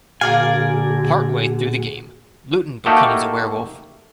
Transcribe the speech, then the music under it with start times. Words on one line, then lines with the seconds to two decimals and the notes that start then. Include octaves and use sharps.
Part way through the game, Lewton becomes a werewolf.
0.21 A#2 D3 F#4 G#4 A#4 D5 F5 G#5
2.86 A3 A#3 D#4 F#4 G4 A4